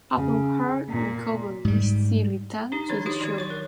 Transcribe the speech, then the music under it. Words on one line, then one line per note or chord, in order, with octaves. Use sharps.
Upon her recovery she returned to the show.
C#3
A#2
G#2 G3
D4 D#4 G4
D#3 F3 C#5 B5
D#4 F#4 G4 C6
D#3 F3 G4 D5 C6
F#3 C#5 C#6
A#4